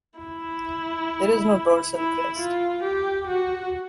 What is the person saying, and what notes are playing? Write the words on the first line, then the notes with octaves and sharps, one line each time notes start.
There is no dorsal crest.
E4
E4
F4
G4
F#4